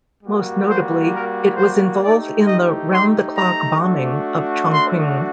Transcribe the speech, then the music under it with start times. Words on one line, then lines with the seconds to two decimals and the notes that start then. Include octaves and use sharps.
Most notably, it was involved in the round-the-clock bombing of Chongqing.
0.23 G3 A#3 F#4
0.68 C5
1.13 A#4
1.57 C5
2.02 A3 D#4 G4 D5
2.46 D#5
2.91 C6
3.36 A#5
3.81 A3 D4 F#4
4.71 C6